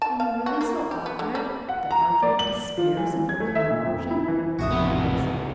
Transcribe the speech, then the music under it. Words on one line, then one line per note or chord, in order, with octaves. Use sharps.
"Are you really so obdurate that Arthur despairs of your conversion?" I asked.
A5
F5
F#4
A#3
G4
B3
D3
G3
F#5
A#5
D5
F#7
F3
E3
G#6
A3
E5
A#2
F2
E4
E3
A1 F2 C3 F#4 E5 D#6
C#2 E3 B3